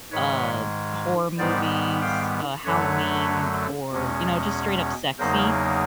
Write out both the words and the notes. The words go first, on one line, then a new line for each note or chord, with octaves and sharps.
uh, horror movies, uh, Halloween, or, you know, just straight up sexy,
G#2 D#3 G#3 B4 C#5
G#2 D#3 G3 B3 C5 D5
F5 G5
F#2 D3 F#3 A3 B4 C#5
E2 B2 G#3 C#4
E2 C#3 F#3 A#3 D#4 A#4 C5